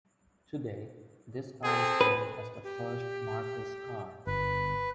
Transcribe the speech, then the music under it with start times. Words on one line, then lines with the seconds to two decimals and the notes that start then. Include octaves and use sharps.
Today, this car is known as "the first Marcus car".
1.65 C4 G#4 A4
2.01 B4
2.64 G4
4.27 G1 B4